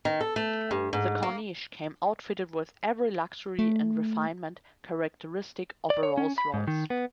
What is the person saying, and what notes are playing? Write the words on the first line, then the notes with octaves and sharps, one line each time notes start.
The Corniche came outfitted with every luxury and refinement characteristic of a Rolls-Royce.
D#3
A4
A3
G2
G#2
A#3
A3
D5
C#5
C#4
B5
G#2
D#3
B3